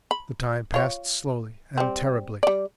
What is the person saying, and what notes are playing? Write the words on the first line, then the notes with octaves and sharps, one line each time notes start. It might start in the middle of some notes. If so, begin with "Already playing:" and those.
The time passed slowly and terribly.
B5
F4 C#5
G3 C4
G3 D5